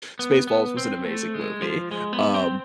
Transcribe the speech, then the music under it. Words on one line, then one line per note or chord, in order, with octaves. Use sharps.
Spaceballs was an amazing movie. Um,
B3
B3
C4
A3
G#3
F3
G#3
B3
C4